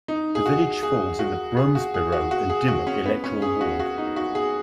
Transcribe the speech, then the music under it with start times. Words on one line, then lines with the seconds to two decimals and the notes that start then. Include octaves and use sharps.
The village falls in the 'Bromesberrow and Dymock' electoral ward.
0.08 D#4
0.35 G#4
0.46 F#4
0.83 G#4
1.19 F#4
1.57 G#4
1.75 F#4
1.94 G#4
2.12 F#4
2.31 F#4
2.50 G#4
2.68 F#4
2.87 C#4
3.06 B3
3.24 C#4
3.42 G#4
3.61 F#4
3.79 F#4
3.98 D#4
4.16 F#4
4.35 G#4